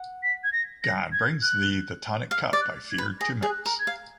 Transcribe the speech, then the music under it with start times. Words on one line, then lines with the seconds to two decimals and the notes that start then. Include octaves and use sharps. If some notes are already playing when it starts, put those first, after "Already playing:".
God brings thee the tonic cup I feared to mix.
Already playing: F#5
0.23 B6
0.44 G#6
0.53 A#6
0.83 A#6
1.12 G#6
1.42 F#6
2.31 F5 F6
2.53 D5
2.61 F#6
2.91 G#6
2.98 B4
3.20 G#4 A#6
3.43 G#4
3.50 F#6
3.66 A#4
3.80 G#6
3.87 F5